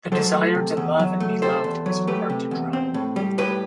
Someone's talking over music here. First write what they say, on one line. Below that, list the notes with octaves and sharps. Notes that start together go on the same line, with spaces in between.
The desire to love and be loved is hard to drown.
F#3 A4 C5
A3
C3
E2
F#3
A3
C3 A4 C5
E2
F#3
A3 G4 B4
C3
E2
C4
A2
G3
A2 G4 B4